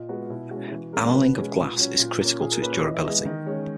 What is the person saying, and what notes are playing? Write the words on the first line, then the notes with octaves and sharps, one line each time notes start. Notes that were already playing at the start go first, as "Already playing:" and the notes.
Annealing of glass is critical to its durability.
Already playing: A#2 D#5
G#3 B3 F#4
B2 E4
G#3 C#4 F#4
E4
E3 F#4
G#3 C#4 A#4
B2 B4
C#4
G#3
A#2
F#3 C#4
A#2
A#3 C#4
A#2 G#4
A#4
A#3 C#4 B4
C#5
E3 D#5
E5
G#3 B3 D#5
D#3 D#5
G#3 C#4 C#5